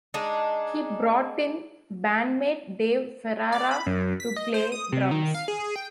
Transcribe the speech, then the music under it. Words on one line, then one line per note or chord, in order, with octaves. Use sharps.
He brought in bandmate Dave Ferrara to play drums.
G#3 D4 D#4
D5
B5
F#2
B6
D#5
C5
D#6
C3
D#3
F5
G#4
G5